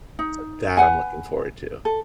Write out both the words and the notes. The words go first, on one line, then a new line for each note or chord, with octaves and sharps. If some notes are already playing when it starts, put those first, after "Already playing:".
So, that I'm looking forward to.
D#4
B4 F#5 G#5
A4